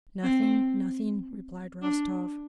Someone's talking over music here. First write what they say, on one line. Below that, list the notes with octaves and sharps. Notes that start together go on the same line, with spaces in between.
"Nothing, nothing," replied Rostov.
C4
D4